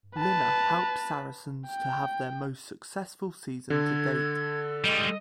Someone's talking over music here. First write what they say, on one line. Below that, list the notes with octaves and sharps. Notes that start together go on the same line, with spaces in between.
Lynagh helped Saracens to have their most successful season to date.
B4 A5
G5
D3 A4 G#6
G3 G#3 D#5